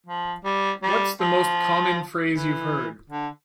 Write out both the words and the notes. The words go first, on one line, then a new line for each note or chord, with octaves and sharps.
What's the most common phrase you've heard?
F3
G3
G3
F3
E3
D3